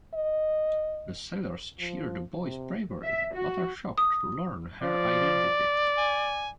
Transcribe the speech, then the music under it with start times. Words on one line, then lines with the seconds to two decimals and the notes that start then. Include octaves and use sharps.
The sailors cheer the boy's bravery, but are shocked to learn her identity.
0.14 D#5
1.80 F3
2.41 C3
3.04 E5
3.34 F#4
3.98 D#6
4.82 F3 D5
5.97 G#5